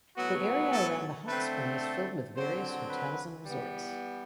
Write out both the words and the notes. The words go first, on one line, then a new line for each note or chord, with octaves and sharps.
The area around the hot spring is filled with various hotels and resorts.
A2 F#3 B3 F#4
A4
D3 A3 C4 B4
A4
D3 F#3 C4 C5
B4
E3 G3 B3